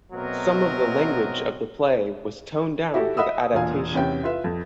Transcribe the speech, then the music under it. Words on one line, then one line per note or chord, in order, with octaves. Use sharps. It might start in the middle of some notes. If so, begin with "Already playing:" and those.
Some of the language of the play was toned down for the adaptation.
B2 F#3 A3 C4 A#4 D#5
E4 F#4 G4 A4
D#5 E5 F#5 B5 D#6 E6
E1 A#2 F5 G#5
E2 C3 C#4 G5
E4 F4 B4 E5
F2